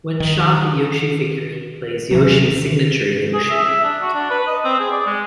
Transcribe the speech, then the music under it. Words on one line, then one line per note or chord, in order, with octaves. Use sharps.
When shot the Yoshi figurine plays Yoshi's signature Yoshi!
D#3
D#2 C3 E3 F#3
G#4
E5
E5
D4
F#4
D4
B4
D#5
C4
G#4
D5
G#3